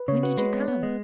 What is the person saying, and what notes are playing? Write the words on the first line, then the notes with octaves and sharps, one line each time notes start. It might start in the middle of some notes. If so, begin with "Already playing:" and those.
"When did you come?"
Already playing: B4
C#3 C#5
F#4 B4
G#3 B4
B3
B3
G#3 D#5